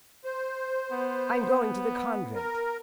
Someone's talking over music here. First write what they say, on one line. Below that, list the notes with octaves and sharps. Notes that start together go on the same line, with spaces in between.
"I'm going to the convent."
C5
B3
A#4